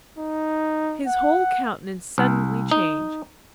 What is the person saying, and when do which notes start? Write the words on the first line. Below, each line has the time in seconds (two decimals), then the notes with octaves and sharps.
His whole countenance suddenly changed.
0.18 D#4
1.06 F#5
2.18 C2
2.71 D#4